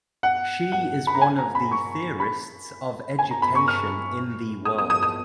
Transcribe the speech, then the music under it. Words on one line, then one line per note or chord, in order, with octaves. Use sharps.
She is one of the theorists of education in the world.
F#5
F#5
B5
A#5
G#5
A#5
B5
C#6
B5
G#5
A#5
B5
C#6
F6
D#6
D#6
D#6
D#6